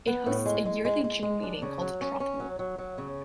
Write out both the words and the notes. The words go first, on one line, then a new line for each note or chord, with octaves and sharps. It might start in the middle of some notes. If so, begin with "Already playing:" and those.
It hosts a yearly June meeting called Trothmoot.
B3
A2
G#3
G#3
G#3
G#3
G#3
D4
C#3
F#3
C#4
C#4
F#3
F#3
F#3
C#3